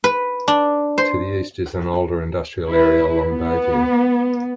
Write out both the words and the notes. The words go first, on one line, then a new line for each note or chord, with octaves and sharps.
To the east is an older industrial area along Bayview.
B4
D4
C5
E4 B4
B3